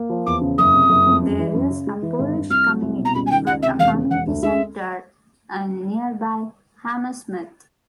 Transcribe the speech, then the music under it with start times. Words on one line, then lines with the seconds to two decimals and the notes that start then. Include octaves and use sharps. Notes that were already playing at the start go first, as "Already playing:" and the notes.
There is a Polish community, with a community centre in nearby Hammersmith.
Already playing: A#3
0.10 F3
0.26 E2 D6
0.41 C#3
0.58 F#1 D#6
0.74 C3
0.89 F#1
1.06 F2
1.22 F#2
1.39 E3
1.55 F#2
1.70 C#3
1.87 G#3
2.02 E3
2.19 G#1
2.35 G2
2.50 C2 F6
2.67 F#3
2.82 C2
2.98 B2
3.05 A#5
3.15 C#2 B5
3.26 G#5
3.31 D#3 G5
3.47 C#2 F#5
3.62 C3 E5
3.79 E1 F5
3.94 C#3
4.11 E1 F#5
4.27 D2
4.43 G#3 E5